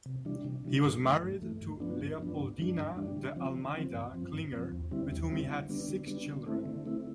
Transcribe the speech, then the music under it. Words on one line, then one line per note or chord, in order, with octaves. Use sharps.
He was married to Leopoldina de Almeida Klinger with whom he had six children.
C3
E3 G3 D4
C3
E3 G3 D4
G2
E3 A3
G2
E3 A3
G2
F3 B3 D4
G2
F3 B3 D4
G2
E3 G3 D4
G2
E3 G3 D4
D3
F3 C4
D3
F3 C4
G2
F3 C4
G2
F3 C4
E2
D3 G3 C4 E4
E2
D3 G3 C4 E4
D3
G3 B3 D4
D3
G3 B3 D4
D3
A3 C4 E4
D3
A3 C4 E4